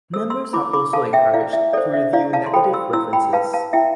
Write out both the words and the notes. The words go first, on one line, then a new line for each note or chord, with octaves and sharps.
Members are also encouraged to review negative references.
A4 C5 E6
C6 E6
E6
E4 B5 D6
B5 D6
A4 C5 F5 A5
E5 G5
E4 D5 F5
E5
A4 C5 D5
E5
E4 D5 F5
F5 A5
C6
A4 C5 G5 B5
C6 E6
E4 C6 E6
G5 B5
B4 F5 A5
F5 A5
E4 E5 G5